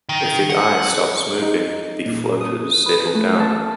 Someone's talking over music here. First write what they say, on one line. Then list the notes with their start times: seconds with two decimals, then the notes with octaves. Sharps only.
If the eye stops moving, the floaters settle down.
0.09 D#3
0.50 F#5
1.42 D#4
2.06 A#2
2.41 D#6
2.86 B4
3.15 A3
3.40 A5